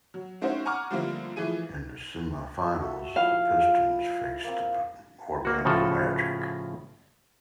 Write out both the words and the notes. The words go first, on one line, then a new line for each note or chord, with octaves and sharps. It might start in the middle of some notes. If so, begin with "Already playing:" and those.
In the semifinals, the Pistons faced the Orlando Magic.
F#3
A3 C4 C#4 D#4 F#4 C5
F#5 G#5 A#5 C#6 D6 F6
D3 F3 G3 A3 A#3 C4
E3 F3 A3 G#4 D#7
F#4 A4 E5
F3 E4 F5
A#3 C4
A#3 F#4
A2 C#3 F3 F#4 A4